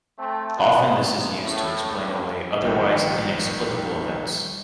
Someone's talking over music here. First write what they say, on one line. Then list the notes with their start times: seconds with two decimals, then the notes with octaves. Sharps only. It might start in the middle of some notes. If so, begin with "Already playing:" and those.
Often this is used to explain away otherwise inexplicable events.
0.18 A3 C4
0.58 G#3 B3 F#4 A#4
1.00 G#1 E2
1.41 A2
1.93 G2
2.63 A#1 D#3 G3 G5